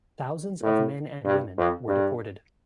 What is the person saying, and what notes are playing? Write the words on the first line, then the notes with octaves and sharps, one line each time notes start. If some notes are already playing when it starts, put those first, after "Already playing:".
Thousands of men and women were deported.
A2
G2
F2
G2